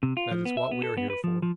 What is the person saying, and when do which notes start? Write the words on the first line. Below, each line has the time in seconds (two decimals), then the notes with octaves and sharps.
That is what we are here for.
0.03 C3
0.17 F4
0.31 F3
0.45 B3
0.57 E5
0.71 B3
0.84 A4
0.97 B3
1.10 B4
1.24 F3
1.42 F3